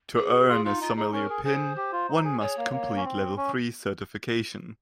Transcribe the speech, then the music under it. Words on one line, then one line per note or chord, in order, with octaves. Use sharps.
To earn a sommelier pin, one must complete level three certification.
G#4
F4 G#4
D#4 F4
D#4 F4
D#4 G#4
C#4 A#4
G#4
G#4 C5
G4
F4
D#4
G#4
G#4 C#5
A#3
A#3
C#4
C4
C#4